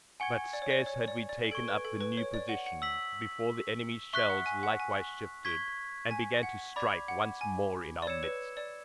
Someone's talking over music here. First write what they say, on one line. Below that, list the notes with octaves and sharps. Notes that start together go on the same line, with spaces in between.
But scarce had we taken up the new position before the enemy's shells likewise shifted, and began to strike once more in our midst.
F#5 G#5 C#6 G#6 C#7
D5
C#5
D5
C#5
D5
D5
A4 C#6 G#6 D7
B4
A4
B4
C#5
D5
F#5
F#5
E6 B6 F#7
E5 C#6 F#6 B6
F#5
G#5
F#5
G#5
C#6 G#6 B6
G#5
F#5
D5 B5 D6 G#6
F#5
G#5
D5
C#5 E6 G#6 C#7 E7
B4
D5